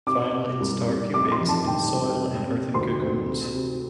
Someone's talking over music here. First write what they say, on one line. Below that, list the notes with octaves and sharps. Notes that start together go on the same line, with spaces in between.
Final instar pupates in soil in earthen cocoons.
C3 D6
C3
C2
C2
F1 D6
D6
C6
F2
A5
D3 G5
F1
C3
C3
D2 C6
D2
C3
C3